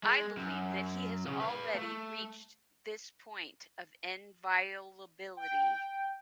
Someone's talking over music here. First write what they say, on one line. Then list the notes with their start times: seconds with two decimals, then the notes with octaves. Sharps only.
I believe that he has already reached this point of inviolability.
0.03 G#3
0.37 F#2
1.27 C#3
1.41 B4 F5
1.75 A3
5.37 G5